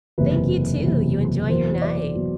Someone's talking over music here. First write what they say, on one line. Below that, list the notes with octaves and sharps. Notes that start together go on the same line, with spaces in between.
Thank you, too, you enjoy your night.
F#1 E2 C3 B4
F#1 E2 C3
E2 B2 F#3 C5
D5
B2 F#3